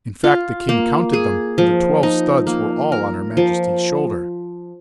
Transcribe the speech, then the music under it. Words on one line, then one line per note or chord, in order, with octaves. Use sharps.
In fact the king counted them, and the twelve studs were all on her Majesty's shoulder.
F4
A#3
G#4
F3
D#4
A#3
A#4
F3